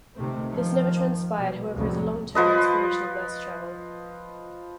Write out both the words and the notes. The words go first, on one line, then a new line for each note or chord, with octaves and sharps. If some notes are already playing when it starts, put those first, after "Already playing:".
This never transpired, however is a long term aspiration of Merseytravel.
G2 C3 D#3 A3 C4
D#3 F3
B2 A#3
C2 F2 A2 C#3 F#3
F3 B4 D#5